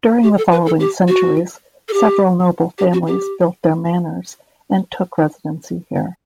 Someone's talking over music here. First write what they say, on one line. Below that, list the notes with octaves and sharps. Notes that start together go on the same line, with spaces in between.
During the following centuries, several noble families built their manors and took residency here.
G4
A4
B4
A4
G4
F#4
A4
G4
G4
F#4
G4